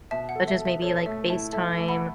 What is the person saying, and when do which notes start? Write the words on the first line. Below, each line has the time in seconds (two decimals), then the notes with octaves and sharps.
such as maybe, like, FaceTime
0.11 B2 E5 A5
0.29 F#5
0.35 A4
0.48 E5
0.59 A4
0.65 E5
0.82 A4 C#5
1.06 A3 E5
1.29 E4 E5 A5
1.53 A4 E5 A5
1.77 A3
1.88 F#5 B5